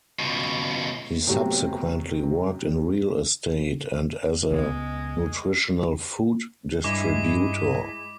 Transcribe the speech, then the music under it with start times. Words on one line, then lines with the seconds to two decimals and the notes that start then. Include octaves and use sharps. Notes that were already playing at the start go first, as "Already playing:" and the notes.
He subsequently worked in real estate and as a nutritional food distributor.
0.19 C#2 B2
1.27 C3 F#3 A3 B3 C4
4.51 C#2 G#3 B3
6.84 G2 G#3 E4 D#5 D6